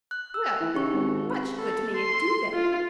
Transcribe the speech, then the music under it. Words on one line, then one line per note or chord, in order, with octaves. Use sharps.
Well, much good may it do them!
F#6
E6
E3
C#3 D#4 G4 C#6
G#1 C4
A4
C6
F4